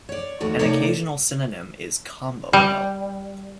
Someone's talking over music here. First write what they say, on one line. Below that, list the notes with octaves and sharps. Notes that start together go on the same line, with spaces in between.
An occasional synonym is "combopill".
C#5 D5
D#2 A3 F#4
C3 A3 A#3 D#4 C#5 D5
G3